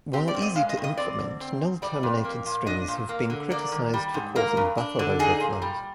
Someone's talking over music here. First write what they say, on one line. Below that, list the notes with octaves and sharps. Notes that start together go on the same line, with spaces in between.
While easy to implement, null terminated strings have been criticized for causing buffer overflows.
C4 G4
D5
G#2
D#5
G#3 F5
D#5
G2
D#5
C4 D5
D3
C4
G#2
G3 D5
F2
A#3
A#2
D4 D#5
A#2
A#3
D3
A#3 D5
D#3
G3
G#2
A#3 A#4
G2
D4
D3
D#4 G#4
A#2
G3